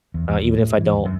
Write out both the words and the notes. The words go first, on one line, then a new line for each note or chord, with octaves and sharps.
uh, even if I don't,
E2
E2
D#2
A2
E3
D#2
F#2